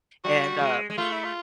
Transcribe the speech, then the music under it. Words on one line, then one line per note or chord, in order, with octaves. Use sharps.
and uh,
G3 F#4
G#3
G#3
A3 F4
E4
F4